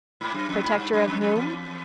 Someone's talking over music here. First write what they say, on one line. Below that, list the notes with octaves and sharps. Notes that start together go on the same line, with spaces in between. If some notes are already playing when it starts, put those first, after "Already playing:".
Protector of whom?
G#2
F#2
F2
G#2
G2
F#2
F2
F2
E2